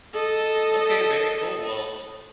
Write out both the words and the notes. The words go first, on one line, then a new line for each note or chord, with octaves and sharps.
Okay, very cool. Well,
A4 D#5